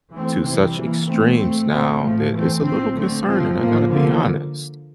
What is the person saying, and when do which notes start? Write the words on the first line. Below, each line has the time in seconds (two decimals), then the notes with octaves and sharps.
to such extremes now that it's a little concerning, I gotta be honest.
0.12 E3 A3 C4
0.44 C3 E3 G3 C4
0.76 E3 A#3
1.07 E3 A3 C4
1.37 A#2 A3 C4
1.70 A#2 A3 C4
2.01 A2 F3 A3
2.32 E3 A3 C4
2.63 A2 F3 C4
2.95 D3 A3 C4
3.26 A2 F3 C4
3.58 A2 F3 A#3
3.89 D3 F3 A#3